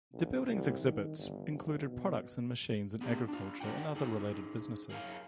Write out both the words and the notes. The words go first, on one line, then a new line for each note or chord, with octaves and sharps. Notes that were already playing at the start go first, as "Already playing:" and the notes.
The building's exhibits included products and machines in agriculture and other related businesses.
A#1
C2
D#3
G1
F1
B2
B3 D4 G4 G#4
D4 F4
F#4 A#4 D5 F#5 G5
D#4 G#4 A4
G#4 A#4 C5 C#5 F5